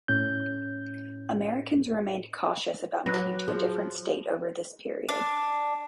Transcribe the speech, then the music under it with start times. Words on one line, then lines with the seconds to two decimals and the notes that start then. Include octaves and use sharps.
Americans remained cautious about moving to a different state over this period.
0.08 A2 C#4 G6
3.06 F#3 G4 B4 F#6 A#6
3.48 F3 G#4
5.09 D4